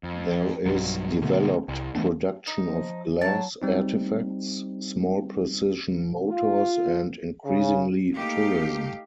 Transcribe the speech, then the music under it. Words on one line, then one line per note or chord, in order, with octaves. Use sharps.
There is developed production of glass artifacts, small precision motors and, increasingly, tourism.
F2
B1 G2 F#3
B2 D3 A3 B3
C2
E3 A3 B3 D4
D#4
F3
F#3 A5
G3 C4 D#4
F4
C#3
A3 A#3 D#4 G4 F5